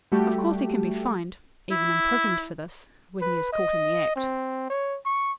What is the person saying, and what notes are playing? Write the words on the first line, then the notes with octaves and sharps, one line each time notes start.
Of course he can be fined--even imprisoned for this--when he is caught in the act.
G3 A3 F#4 G4
E4
B4
D#5
C4
C#5
C#6